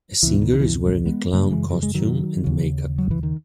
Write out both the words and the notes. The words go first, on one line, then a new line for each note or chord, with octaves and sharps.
A singer is wearing a clown costume and makeup.
C#2 B2 E3
D#3
D#3
E3
G#3 B3
F#2 C#3 F#3 A#3
E3 G#3
F#3
G#3
D#3 F#3
D#2 C#3
F#3
E3
D#3